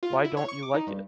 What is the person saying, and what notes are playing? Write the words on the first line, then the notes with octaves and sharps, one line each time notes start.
Why don’t you like it?
F4
E4
C#5
C#6
D6
D#4
G2